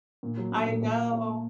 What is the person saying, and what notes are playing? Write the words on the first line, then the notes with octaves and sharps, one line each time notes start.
I know.
A#2
F#3
A#2
A#2
A#2